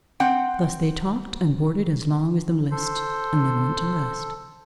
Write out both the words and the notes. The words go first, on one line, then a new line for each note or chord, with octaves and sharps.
Thus they talked and bourded as long as them list, and then went to rest.
C4 F#5 G5
A4 C5